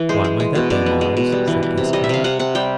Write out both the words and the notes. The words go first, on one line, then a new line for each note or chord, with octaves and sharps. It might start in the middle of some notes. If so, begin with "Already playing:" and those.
"Why may that be, Myles?" said Gascoyne.
Already playing: E3
G#3 C5
G#3
G#3
B2
B2 D5
B3
G#3
B2
G3
E3
E3
C3
G3 D#5
E5
C3 F5
C3 F#5
C3 F#5
G3 G5